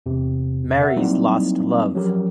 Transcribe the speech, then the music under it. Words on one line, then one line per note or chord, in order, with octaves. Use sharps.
Mary's lost love.
E2 C3
A#4 E5 F#5
F#3 G3 A#3 C4 D#4 E4
F3 F#3 C#4 G4 A#4 C#5